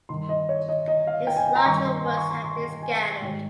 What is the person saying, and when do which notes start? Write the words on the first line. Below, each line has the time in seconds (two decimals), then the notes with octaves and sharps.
His larger works have been scattered.
0.09 G2 D#3 C6
0.29 D#5
0.49 C#5
0.69 D#5
0.88 D#5
1.07 F5
1.27 G5
1.36 G#5
1.46 G#5
1.56 A#5
1.66 G2 D#3 C#6
1.85 C6
2.04 G#5
2.17 C#6
2.31 C6
2.44 C#6
2.63 C6
2.82 G#5
3.21 G#2 D#3 G5